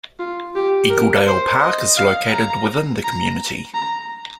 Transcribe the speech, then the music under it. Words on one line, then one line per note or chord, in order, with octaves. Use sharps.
Eagledale Park is located within the community.
F4
G4
A#4
C5
D#5
F5
A#5
A#5
A#5